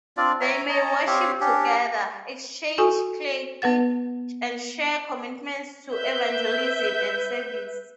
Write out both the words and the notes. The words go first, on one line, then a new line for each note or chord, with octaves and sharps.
They may worship together, exchange clergy, and share commitments to evangelism and service.
C4 D4 F4 D5
C#5 E5 A#5
C#5 D#5 A5 A#5
C4 G4 C#5 F5
C#4 D4 G4
F#4 A4 G#5 C#6 D#6
B3 B4 F#5 A6
B4 E5 G6